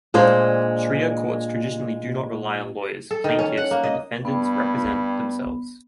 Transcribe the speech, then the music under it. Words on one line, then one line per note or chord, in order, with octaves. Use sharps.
Sharia courts traditionally do not rely on lawyers; plaintiffs and defendants represent themselves.
A#2 G#3 D4 C5
A4
D#3
C#4
F#5
A#3
D#5
G2 B3